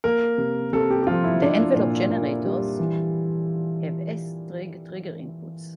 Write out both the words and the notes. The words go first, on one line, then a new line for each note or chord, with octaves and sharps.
The envelope generators have S-trig trigger inputs.
A#3 A#4
C3
C3 A4
G4
G4
F3 F4
E4
D4
A#2
A#2
G3
E3